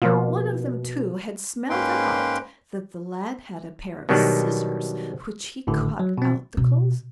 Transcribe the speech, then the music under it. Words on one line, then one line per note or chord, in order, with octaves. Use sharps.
One of them, too, had smelt out that the lad had a pair of scissors which he cut out the clothes with.
B2 F3 A#3 F4
G#2 A#3 C#4 B4 G5 C6
B2 D#3 F#3 G3 B3 D4
G#1 A2 D3
F#3
B2 C4
B2